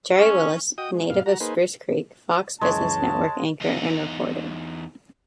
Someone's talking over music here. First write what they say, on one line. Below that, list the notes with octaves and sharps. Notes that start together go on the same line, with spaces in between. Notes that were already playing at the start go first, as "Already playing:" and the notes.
Gerri Willis, Native of Spruce Creek, Fox Business Network Anchor and Reporter.
C#4
F#4 D#5 G5 D#6
G#3
G2 B2 F5
F#4 A#5
A#3 D#4 G#4 B4 C5
C#2 F#2 E3 G#3 C#5 A5
E2 D#4